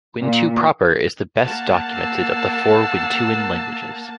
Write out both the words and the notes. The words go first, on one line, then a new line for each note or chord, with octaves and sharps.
Wintu proper is the best documented of the four Wintuan languages.
A#2
A#3 F#5 A5
E6 C7